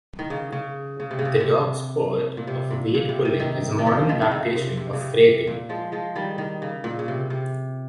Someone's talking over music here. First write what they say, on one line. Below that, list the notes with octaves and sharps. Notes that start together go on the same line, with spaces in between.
The dog sport of weight pulling is a modern adaptation of freighting.
D#3
C#3
C#3
C#3
C3
C#3
C3
C3
A#2
C3
A#2
A#2
C3
C3
D#3
D#3
F3
D#3
D#3
C#3
C3
C3
C#3
C3
A#2
F3 G#3
F3 G#3
D#3 G3
D#3
C#3
A#2
C#3
C3
C3